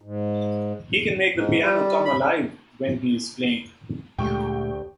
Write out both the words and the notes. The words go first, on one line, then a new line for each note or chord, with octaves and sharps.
He can make the piano come alive when he is playing.
G#2
G#2
G3
B5
D2 A#2 G#3 A3 G4 G5 C#6